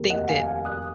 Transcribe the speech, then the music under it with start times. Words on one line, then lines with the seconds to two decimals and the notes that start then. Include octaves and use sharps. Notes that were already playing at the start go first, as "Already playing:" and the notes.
think that
Already playing: F1 D#2 D#3
0.09 D#5 F#5
0.28 F5 G#5
0.46 F5 G#5
0.65 D#6 F#6